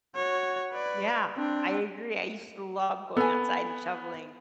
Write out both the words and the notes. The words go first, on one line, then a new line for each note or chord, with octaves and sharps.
Yeah, I agree, I used to love going outside and shoveling,
F#4 C#5
B4 D5
C4 D4
B3 A4 G#5